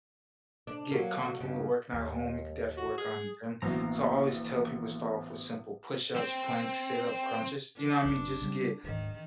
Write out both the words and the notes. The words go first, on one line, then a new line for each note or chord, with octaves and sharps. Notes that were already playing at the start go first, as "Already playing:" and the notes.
get comfortable with working out at home, you could definitely work on the gym. So, I always tell people to start off with simple push-ups, planks, sit-up, crunches, you know what I mean? Just get
D4
F#3 A#3
F#4
G2 C#3
D#2
F#4
G#4
A1 D2 B2 D#3 A#3 A#5
C4 G5
D4
F#1 C#2
C#3 G3 C4
D1 G#2 D#3